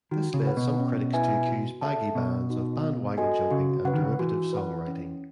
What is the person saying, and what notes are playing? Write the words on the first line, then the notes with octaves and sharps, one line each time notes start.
This led some critics to accuse baggy bands of bandwagon-jumping and derivative songwriting.
D#3 F#4
C#3
B4 F#5
B2
C#4
E4 B4 E5 G#5
F#4
A4 E5 A5
B2 B3
D#4 F#4
B3
F#4 A4 D#5 G#5
C#3 F#4
C#3 B4 F#5
D#3
C#3
E3 F#4
B4 F#5
C#4